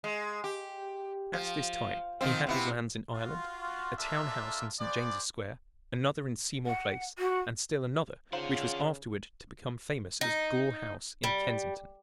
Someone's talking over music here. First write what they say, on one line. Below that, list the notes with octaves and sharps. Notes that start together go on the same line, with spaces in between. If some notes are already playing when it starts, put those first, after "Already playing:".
At this time he had his lands in Ireland, a town house in St. James's Square, another in Seymour Place, and still another which was afterward to become famous as Gore House, in Kensington.
G#3
G4
F3
D#3 F3 C4
C3 B3 E4
F4 F#4
G#3 A#3 D4 F4 A4 E5
B3 G#4 C5 D5
F#5
F#4
C#3 D4 D#4 F4 C5 F5 F#5
D#4
G3